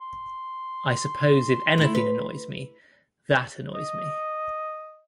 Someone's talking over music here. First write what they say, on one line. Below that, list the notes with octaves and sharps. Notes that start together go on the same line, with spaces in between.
I suppose if anything annoys me, that annoys me...
C6
A3 E4
B4
D#5